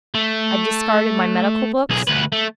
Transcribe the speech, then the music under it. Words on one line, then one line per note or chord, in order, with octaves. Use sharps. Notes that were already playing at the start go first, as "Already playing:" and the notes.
I discarded my medical books.
A3
B1 G#4
D2 B4
A3